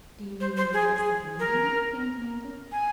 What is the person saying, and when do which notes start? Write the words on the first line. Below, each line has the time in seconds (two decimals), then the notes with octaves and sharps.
'D'you mean you were dressed like an Indian?'Dan demanded.
0.41 C5
0.57 C5
0.73 G#4
0.96 G#4
1.39 A#4
2.72 G#5